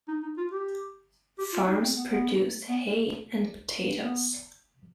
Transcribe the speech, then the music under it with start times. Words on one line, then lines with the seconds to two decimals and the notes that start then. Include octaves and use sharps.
Farms produced hay and potatoes.
0.08 D#4
0.23 D#4
0.38 F4
0.52 G4
1.38 G4
1.53 F4
1.68 D#4
1.83 C4
1.97 B3
2.11 B3
2.69 B3
3.99 B3